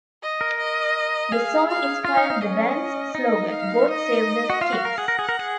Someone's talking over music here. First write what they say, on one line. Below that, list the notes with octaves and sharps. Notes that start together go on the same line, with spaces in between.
The song inspired the band's slogan, "God Save the Kinks".
D#5
A#4
D#5
G#4 F5
F5
F4 F5
D#4
D#4
C#4 D#5
D#4
F5
D#5
F#4
F4 F5
F#4
A#4
G#4 F#5
A#4
G#4
A#4
G#4